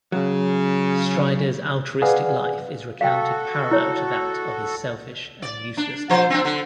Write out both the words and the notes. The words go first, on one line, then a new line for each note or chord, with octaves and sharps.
Strider's altruistic life is recounted parallel to that of his selfish and useless owner.
C#3 F#3
G#4 B4 D5 F5 F#5 G#5
F#4 A4 F5 G5
E4 C#5
D5
D4
F3 C5
C4 D4
D3